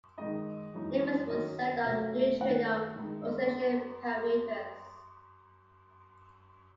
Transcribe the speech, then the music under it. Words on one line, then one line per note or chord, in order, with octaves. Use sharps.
Limits were set on neutrino oscillation parameters.
D#3 G#3 D#4 D#5
F#2 E3 G#3 D#4
D#3 F#3 C#4 D#5
C3 F#3 A3 E5
D#3 A3 D#4 F#5
D#3 G#3 D#4